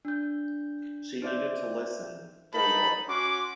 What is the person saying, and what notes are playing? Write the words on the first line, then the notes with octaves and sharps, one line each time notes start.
She needed to listen "or" look.
D4 G6
D#4 C5 D5 E5 G6
D#4 A#4 B4 A5 B5
C#4 F#4 C6 D6